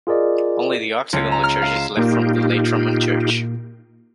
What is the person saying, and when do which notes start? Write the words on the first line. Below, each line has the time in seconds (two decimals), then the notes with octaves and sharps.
Only the octagonal church is left from the late roman church.
0.07 F4 G#4 A#4 D5 D#5
1.13 C#2
1.32 A#5
1.43 F6
1.62 F5
1.76 E7
1.97 A#2 A#3 D#4 F4 G4